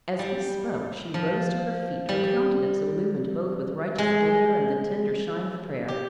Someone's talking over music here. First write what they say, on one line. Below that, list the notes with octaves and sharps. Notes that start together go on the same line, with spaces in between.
As he spoke, she rose to her feet, her countenance illumined both with righteous anger and the tender shine of prayer.
G3
F3
G3
G#3
G4